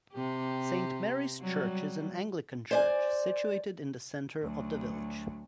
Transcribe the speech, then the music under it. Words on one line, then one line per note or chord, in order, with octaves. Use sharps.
Saint Mary's church is an Anglican church situated in the centre of the village.
C3 G4
F#3 G3
C5 D5 G#5
D2 F#3